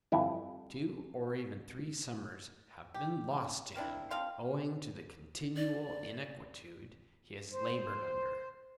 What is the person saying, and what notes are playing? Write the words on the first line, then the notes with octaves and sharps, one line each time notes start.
Two, or even three, summers have been lost to him, owing to the continual inquietude he has laboured under.
G1 F2 E4
G4
A#3 C4 D4 E4
F3 C4 F5 C6
D5
C5